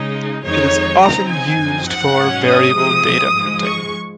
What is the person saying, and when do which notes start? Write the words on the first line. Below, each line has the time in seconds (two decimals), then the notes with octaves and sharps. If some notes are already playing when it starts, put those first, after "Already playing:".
It is often used for Variable Data Printing.
Already playing: C#3 G#3 D#4
0.43 F2 D#3 G#3 D#4 C#5
1.01 C#3 F3 C4 D#4 A#5
1.29 G#5
1.59 F#2 F3 C4 D#4
1.87 F#5
2.17 G#2 F#3 C#4
2.45 D#6
2.74 C3 F3 G#3
3.32 G#2 F3 G#3
3.62 C#6